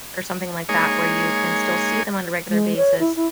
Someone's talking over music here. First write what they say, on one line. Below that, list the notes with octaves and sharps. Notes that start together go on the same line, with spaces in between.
or something like that where you can still see them on a regular basis,
G#3 A#3 D#4 G#4 C#5
G#3
C#5
E4
E4